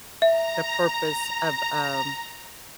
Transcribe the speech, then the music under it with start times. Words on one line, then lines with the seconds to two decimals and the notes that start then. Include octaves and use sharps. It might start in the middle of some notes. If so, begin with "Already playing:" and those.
the purpose of, um
0.22 E5 A#5